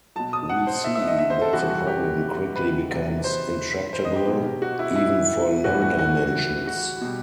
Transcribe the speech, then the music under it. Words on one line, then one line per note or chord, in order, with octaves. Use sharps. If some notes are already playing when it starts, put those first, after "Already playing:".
We see that the problem quickly becomes intractable, even for low dimensions.
B2 F#3 A5
D#6
F#5
C5
E5
E5
D#5
E5
C5
A4
C3 E3 G3 F#4
F#4
G4
B4
C3 F#3
C5
C5
D#5
G4
B2 F#3
F#4
E4
E4
A2 E3 G3 F#4
F#4
F#4
F#4
B2 G3